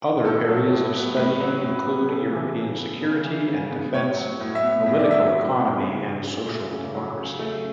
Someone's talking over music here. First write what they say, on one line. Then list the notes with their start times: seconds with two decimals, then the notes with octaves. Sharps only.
Other areas of study include European security and defence, political economy, and social democracy.
0.25 A2 A4
0.48 F#3
0.71 A2
0.94 B3
1.17 A2 B4
1.40 F#3
1.63 A2
1.86 B3
2.09 C#3 A4
2.33 E3
2.55 C#3
2.79 B3
3.01 C#3
3.25 E3
3.47 C#3
3.71 B3
3.93 A2 C#5
4.16 F#3
4.40 A2
4.55 E5
4.63 B3
4.86 A2 E5
4.99 D5
5.09 F#3 E5
5.32 A2
5.56 B3
5.78 C#3
6.01 F#3
6.24 C#3
6.48 A3
6.71 C#3
6.94 F#3
7.17 C#3
7.39 A3